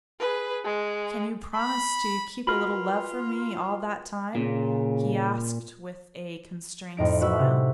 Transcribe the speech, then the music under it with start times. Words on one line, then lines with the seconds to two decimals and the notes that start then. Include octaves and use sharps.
'Can you promise to keep a little love for me all that time?' he asked with a constrained smile.
0.19 G#4 B4
0.65 G#3
1.55 B5
2.47 F4 F#4 A#4 B4 B5 F6
4.35 A#2 C#3
6.97 F2 A2 D#4 D7
7.21 F#4 B4 E5
7.39 C3